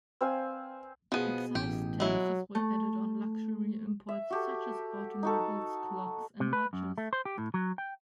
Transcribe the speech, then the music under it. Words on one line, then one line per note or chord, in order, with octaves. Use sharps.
Excise taxes were added on luxury imports such as automobiles, clocks and watches.
C4 C5 F5 G#5
B2 F3 B3 G#4 D#7
A1 G4
F#3 G#3 E4
A3
E5
F#4 G4 A4
D#4 F#4 A4
C3
B4
F#2
A3
C5
G4
A2
F#3
G5